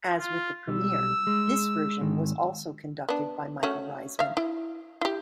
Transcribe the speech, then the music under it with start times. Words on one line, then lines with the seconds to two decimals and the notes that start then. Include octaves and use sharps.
As with the premiere, this version was also conducted by Michael Riesman.
0.20 F4
0.68 B1 G3 E6
1.27 G#3
2.01 G#2 D#3 G#3
3.09 B3 D4
3.63 A3 C#4 F#4
4.19 E5 F5
4.37 E4
5.01 E4 G4